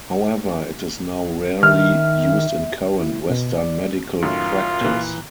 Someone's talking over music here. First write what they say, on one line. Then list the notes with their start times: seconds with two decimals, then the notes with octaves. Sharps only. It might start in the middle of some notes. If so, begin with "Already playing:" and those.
However, it is now rarely used in current Western medical practice.
1.63 D#3 E5 F6
2.99 E4
3.30 B2
3.58 D5
4.22 F#2 A2 D#3 F4
4.81 A#2 E3